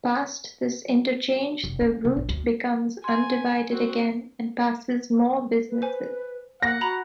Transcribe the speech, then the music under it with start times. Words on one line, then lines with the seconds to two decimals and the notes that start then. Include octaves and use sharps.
Past this interchange, the route becomes undivided again and passes more businesses.
1.64 F1
1.81 C#4
2.05 C#3
2.17 A1
2.29 D2
3.04 F#5 G#5 C6
3.71 C4 F#4
5.70 B4
5.82 C5 G#5
6.62 A#3 F#5 A#6
6.81 F#4 A#5 B5